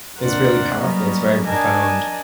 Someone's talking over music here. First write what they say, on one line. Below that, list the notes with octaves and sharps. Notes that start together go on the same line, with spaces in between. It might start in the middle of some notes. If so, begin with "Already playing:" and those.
is really powerful, it's very profound,
D#2 C3 D4 A#4 C5 F#5
F#3 G3 A#3 B3 C#4 D#4
D4 D#4 A#4 D#5 G#5 A5